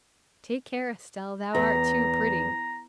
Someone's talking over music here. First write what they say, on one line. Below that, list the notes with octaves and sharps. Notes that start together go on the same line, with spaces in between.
Take care, Estelle, thou art too pretty!
E2 A#5